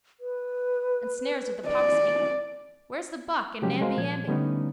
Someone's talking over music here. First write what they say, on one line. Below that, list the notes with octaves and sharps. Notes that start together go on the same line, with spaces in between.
And snares of the poxfiend. Where's the buck and Namby Amby?
B4
D5
C3 F3 F#3 G#3 C#4 G4
G3 G#3 F#4 A#4 C5 F5
A#2 F3 G#6
D3 G3 A3 B3 C#4 D#4